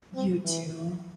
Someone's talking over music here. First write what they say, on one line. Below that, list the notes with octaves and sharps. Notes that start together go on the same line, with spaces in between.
You too.
C4
E3